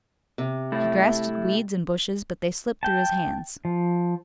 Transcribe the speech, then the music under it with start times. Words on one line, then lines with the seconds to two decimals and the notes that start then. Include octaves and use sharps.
He grasped at weeds and bushes, but they slipped through his hands.
0.38 C3
0.72 A3 E4
2.83 G5 A5
3.65 F3